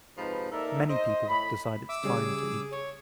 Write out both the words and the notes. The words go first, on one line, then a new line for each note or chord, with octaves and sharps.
Many people decide it 's time to eat.
G#2 C3 F3 D#4 B4
A#3 D#4 A4 A#4 D5 E5
C5 D#5
A2 B5
E5 D6 E6
C#3 G3 C#4 G#4
C#5